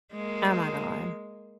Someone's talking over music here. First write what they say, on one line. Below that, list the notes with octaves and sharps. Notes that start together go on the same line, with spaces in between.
Oh my god.
G#3 A#3